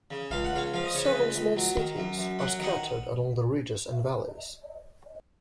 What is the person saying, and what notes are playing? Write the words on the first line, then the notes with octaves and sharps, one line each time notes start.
Several small cities are scattered along the ridges and valleys.
C#3
C#2 F5
F#5
C#2 C#5 F5
F3 F5
D#5
C#3 C#5
B4 D#5
C#2
C#2
F#3
D#3
F#2
F#2
F#3 F#5
D#3 D#5 F#5